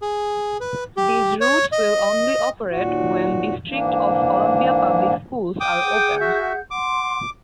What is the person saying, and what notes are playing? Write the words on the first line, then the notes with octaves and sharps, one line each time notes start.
These routes will only operate when District of Columbia Public Schools are open.
G#4
B4
G4
C#5
D#5
D#2 A#2 F#4
G#2 E3 A#3 D4
G5 D6 D#6
G#4 F#5 G6
F#4 E5
F#5 C6 D6